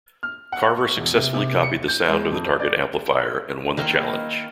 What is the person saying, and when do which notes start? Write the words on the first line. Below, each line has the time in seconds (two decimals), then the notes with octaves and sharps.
Carver successfully copied the sound of the target amplifier and won the challenge.
0.23 F6
0.52 F#5
0.78 C#6
0.97 E1
1.15 C3
1.34 C3
1.63 C#7
1.88 G6
2.08 G#3
2.32 F2
2.45 C5
2.59 D5
3.77 D#3 A#3 E4